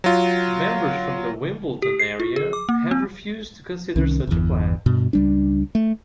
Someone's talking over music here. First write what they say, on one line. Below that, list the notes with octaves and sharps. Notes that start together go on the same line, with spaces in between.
Members from the Wimbledon area have refused to consider such a plan.
F#3 F4
G4
C7
F4
G#4
D6
A#3
C4
C2 D#3 C#4
G1 E2
G2 B2
C#2 G3 D4
A3